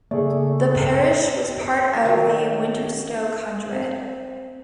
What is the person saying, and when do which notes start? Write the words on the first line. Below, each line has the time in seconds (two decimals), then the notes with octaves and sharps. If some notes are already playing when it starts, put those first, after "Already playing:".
The parish was part of the Winterstoke Hundred.
0.11 C#3 A3 A#3 G#4 D5
2.05 D#3 F#3
3.72 C4